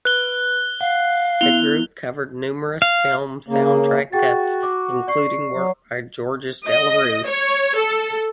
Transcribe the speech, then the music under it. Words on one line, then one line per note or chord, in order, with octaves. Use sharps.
The group covered numerous film soundtrack cuts, including work by Georges Delerue.
B4 F#6 G7
F5 F#5
B3 E4 F7 G7
F5
C#3 A#3
F#4 G#4 G5 A6
D6
D5 C#6 C7
F#3
D#5
C#5
A4